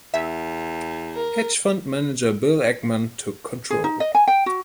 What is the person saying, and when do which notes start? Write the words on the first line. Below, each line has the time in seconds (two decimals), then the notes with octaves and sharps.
Hedge fund manager Bill Ackman took control.
0.14 E2 E5
1.15 A#4
3.70 G#4
3.84 D#4
4.00 D#5
4.15 G#5
4.28 G5
4.46 F#4